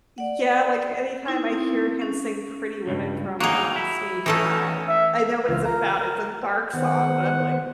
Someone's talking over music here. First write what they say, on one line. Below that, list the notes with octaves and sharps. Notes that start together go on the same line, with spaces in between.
yeah, like, anytime I hear him sing Pretty Women from, uh, Sweeney Todd I know what it's about, it's a dark song, but I'm, like,
D5 F#5
C4 D#4 E4
C#4
C#2 G2
A#3 D#4 F#4 G#4
E4
E3 A3 C#4 D#4 A4
E5
C#2 E3 F4 F6
A#4 A#5
D#3 B3 C5 F#5